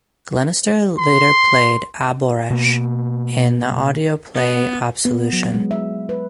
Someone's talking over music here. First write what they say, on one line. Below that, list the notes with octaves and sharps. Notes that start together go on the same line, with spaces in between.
Glenister later played Aboresh in the audio play "Absolution".
C6
B2 A#3
B3
B3
F#3
G#3
E5
B4